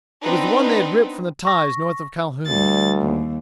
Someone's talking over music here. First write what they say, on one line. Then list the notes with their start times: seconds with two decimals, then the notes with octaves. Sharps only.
It was the one they had ripped from the ties north of Calhoun.
0.22 B3 C4 D4 D#4 B4
1.45 C#6 A#6
2.47 D2 G3 A6
3.02 D#2